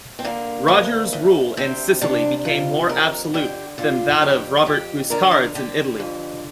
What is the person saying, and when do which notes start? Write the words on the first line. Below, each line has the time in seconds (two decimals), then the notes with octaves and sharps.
Roger's rule in Sicily became more absolute than that of Robert Guiscard's in Italy.
0.19 C4
0.25 D3 A#3
0.68 D2
1.13 D2
1.57 C3 C4
2.01 C3 D4
2.45 F2 F4
2.89 F2 A#4
3.34 D3 G4
3.78 D3 F4
4.22 F2 G4
4.66 F2 G4
5.10 D3 A#4
5.31 A#4
5.55 D3 G4
6.00 F2